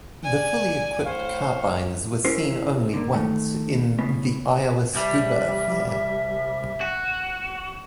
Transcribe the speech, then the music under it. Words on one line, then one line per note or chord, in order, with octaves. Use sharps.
The fully equipped carbines were seen only once, in "The Iowa Scuba Affair".
D5 G#5
A2 C5 C#5 F5
C#4 E4 A#4 C5
D3 A#3
D#3 A3
A2 C#3 B3
C2 G3 E5
F#4